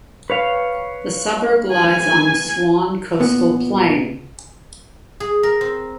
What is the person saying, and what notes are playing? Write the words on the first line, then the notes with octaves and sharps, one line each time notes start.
The suburb lies on the Swan Coastal Plain.
B4 C#5 F5
G#5
A#2 B3
G#4
A#4
C4